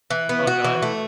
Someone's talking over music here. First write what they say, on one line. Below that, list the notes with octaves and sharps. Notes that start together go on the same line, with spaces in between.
Oh, go ahead.
E3
B3
F#4
E3
A3